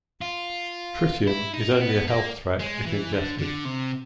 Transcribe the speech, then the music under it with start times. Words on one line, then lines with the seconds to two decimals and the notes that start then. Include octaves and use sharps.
Tritium is only a health threat if ingested.
0.21 F4
1.27 E4
1.53 D#4
1.71 C4
1.81 B3
2.07 A#3
2.60 G#3
2.86 E3
3.13 D3
3.38 D3
3.65 C3